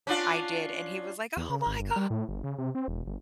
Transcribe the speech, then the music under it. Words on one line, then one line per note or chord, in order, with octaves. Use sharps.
I did, and he was like, "Oh my god!
C#4 D4 F4
E2
C#3
G#1
G1
G3
A2
G1
C#3
C3
C4
E1
G1